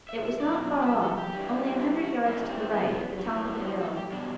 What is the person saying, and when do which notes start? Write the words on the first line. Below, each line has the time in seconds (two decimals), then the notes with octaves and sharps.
It was not far off, only a hundred yards to the right at the top of the hill.
0.09 E5
0.24 E5
0.40 B2 F#3 D5
0.82 D5
0.86 E5
1.02 A4
1.17 G4
1.33 G2 E3 G3
1.79 E4
2.02 F#4
2.26 F#2 E3 G3 E4
2.37 A3
2.45 B3
2.49 C4
2.60 C4
2.73 B3
3.18 A2 F#3
3.55 B3
3.65 C4
3.81 A4
3.97 G4
4.12 B2 G3 D4